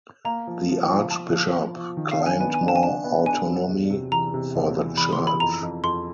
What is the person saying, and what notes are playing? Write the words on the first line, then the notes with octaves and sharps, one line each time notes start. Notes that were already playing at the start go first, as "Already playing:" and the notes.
The archbishop claimed more autonomy for the church.
A#3 A#5
F3
F3
F3
F3 A5
F3
F3
F3
D#3
F5
D4
G#5
B3 G#5
G#5
D4
A5
G#5
D4 A5
B3
D4 G#5
F#3
E2
C3
E3 A#5
C3
E2
E3
E3 B5
C6
E3
B5
F2 A#5
F2
F2 C6